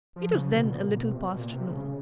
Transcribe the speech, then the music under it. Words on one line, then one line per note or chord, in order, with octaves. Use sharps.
It was then a little past noon.
F3
C#3
B2
A#2
A#2
B2
C3
B2
A#2
C3
C#3